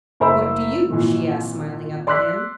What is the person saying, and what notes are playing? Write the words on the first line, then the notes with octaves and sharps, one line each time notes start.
"What do you?" she asked, smiling up at him.
F#1 A#4 C5 E5 B5 E6
G#1 A#2 E3
D5 C6 E6 F#6 B6